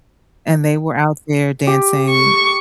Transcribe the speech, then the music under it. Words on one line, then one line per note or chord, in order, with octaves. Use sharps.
and they were out there dancing
G4
C#6